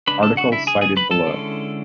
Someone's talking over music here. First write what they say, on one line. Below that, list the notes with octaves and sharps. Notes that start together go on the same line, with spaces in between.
Article cited below.
C#3 G#3 D4 B4 B5
A4 A5
F#4 F#5
E4 E5
G#4 G#5
G#4 G#5
B4 B5
A4 A5
D3 G#3 C#4 E4